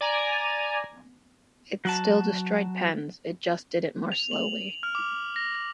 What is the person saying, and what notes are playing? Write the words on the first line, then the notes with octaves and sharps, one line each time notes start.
It still destroyed pens; it just did it more slowly.
D5 G#5 A#5
F#3 F#4 A5
F7
F#7
F6
D6
A#6